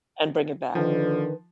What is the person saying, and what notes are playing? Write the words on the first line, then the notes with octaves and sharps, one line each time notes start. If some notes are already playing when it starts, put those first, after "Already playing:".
and bring it back.
D3 D#3 F3 B4